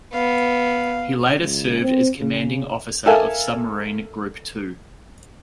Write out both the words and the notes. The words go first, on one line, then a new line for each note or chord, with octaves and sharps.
He later served as commanding officer of Submarine Group Two.
B3 F5
C#2
C4
C#3
A4 A#4 E5 F5 G#5 A5